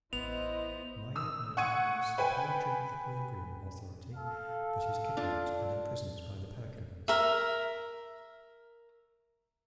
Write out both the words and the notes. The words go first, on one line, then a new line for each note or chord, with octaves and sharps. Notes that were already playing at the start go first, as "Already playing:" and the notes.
Maia notifies the "Planetary Equilibrium Authority", but is kidnapped and imprisoned by the Perkinites.
A1 B3 E4 C5 D#5 F7
D#6 E6
F#5 C#6 G#6 D#7
B4 G5 G#5
A4 F5
D4 F4
A#4 E5